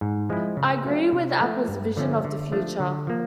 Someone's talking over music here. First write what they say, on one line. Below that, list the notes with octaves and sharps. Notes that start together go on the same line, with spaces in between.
I agree with Apple's vision of the future.
G#2
F3 G#3 C4 E4
C#3
F#3 A3 C#4 F4
C3
F3 A3
G2
D3 F3 A3 C#4
D3
F3 A3 D4
D3
F3 A#3